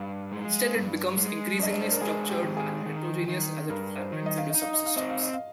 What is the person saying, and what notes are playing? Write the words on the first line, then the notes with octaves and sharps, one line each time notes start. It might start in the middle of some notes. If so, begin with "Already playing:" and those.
Instead it becomes increasingly structured and heterogeneous as it fragments into subsystems.
Already playing: G2 F5
G#3
G2
G#3
D4 D#5
D5
C5
A#4
G#3 G#4
G4
D#3
G#4
D#3
D#3
G2 A#4
C5
D#3
D#5
F5
D#4 D#5
F5
D#5
F5
C4 D#5
F5
D#5
F5